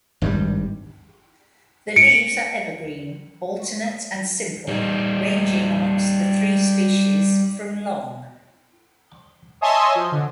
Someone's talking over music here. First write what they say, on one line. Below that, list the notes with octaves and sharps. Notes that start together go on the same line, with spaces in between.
The leaves are evergreen, alternate and simple, ranging amongst the three species from long.
G#1 G2 C#3 G3
C#7 D7
G3 D#4
C#5 D#5 E5 G#5 A5 C6
F3
D3